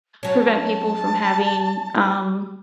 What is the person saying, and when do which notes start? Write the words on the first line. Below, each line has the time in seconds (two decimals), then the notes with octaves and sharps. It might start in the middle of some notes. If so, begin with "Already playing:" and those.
prevent people from having, um,
0.23 F#3 C#4 A5